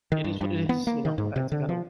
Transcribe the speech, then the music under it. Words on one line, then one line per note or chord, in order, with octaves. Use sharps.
It is what it is, you know, I had to kind of,
D#3
G2
G2
B3
A#3
D#3
G#2
C3
D3
F3